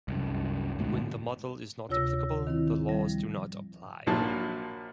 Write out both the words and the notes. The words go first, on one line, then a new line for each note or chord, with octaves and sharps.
When the model is not applicable, the laws do not apply.
C2 F#2
D2 G#2 B2
D2 C3 F4 C#5 E6 A#6
D#3 C4 E4
F3 G3
A#1 A#2 F3 F#3 A5